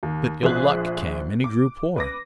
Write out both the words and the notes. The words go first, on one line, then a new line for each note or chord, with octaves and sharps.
But ill luck came, and he grew poor.
D#2
A#1 F3 G#4 C5 E5 F#6
D6
B4 D6 A#6